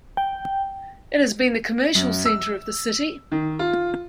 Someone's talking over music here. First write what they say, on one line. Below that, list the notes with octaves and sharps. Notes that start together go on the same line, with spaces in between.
It has been the commercial center of the city.
G5
F#2
E6
D#3
F4